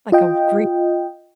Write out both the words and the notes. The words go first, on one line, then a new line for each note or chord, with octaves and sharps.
Like a gr
F4 D#5 G5